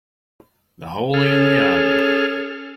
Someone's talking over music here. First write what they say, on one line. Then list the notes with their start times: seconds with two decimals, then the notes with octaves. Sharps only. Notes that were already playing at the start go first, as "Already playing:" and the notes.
The Holly and the Ivy.
1.14 C#4 G#4 A4 F6